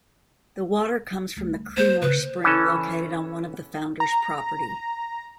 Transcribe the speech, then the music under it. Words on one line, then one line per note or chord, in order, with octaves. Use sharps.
The water comes from the Creemore Spring located on one of the founder's property.
D2 G3
A#3 C5
C#3 B4
E3 C#4 A4
A#5